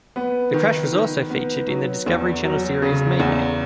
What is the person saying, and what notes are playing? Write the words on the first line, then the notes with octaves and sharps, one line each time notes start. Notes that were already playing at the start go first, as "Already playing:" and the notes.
The crash was also featured in the Discovery Channel series Mayday.
B3
D#3
D#3
B3
F#3
E2
F#3
C#3
E2